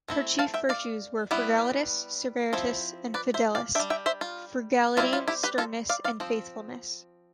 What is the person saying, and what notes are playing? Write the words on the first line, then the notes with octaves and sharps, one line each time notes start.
Her chief virtues were "frugalitas, severitas" and "fidelis"-frugality, sternness, and faithfulness.
A3 C4 E4
F5 A5
E5 G5
D5 F5
G3 B3 E4
F3 C4 E4
B4 D5
C5 E5
D5 F5
G3 D4 E5 G5
E5 G5
C5 E5
F4
G3 C4 E4 F4
F4
E4 G4
G4 B4
F4 A4
D5 F5
D5 F5
F3 C4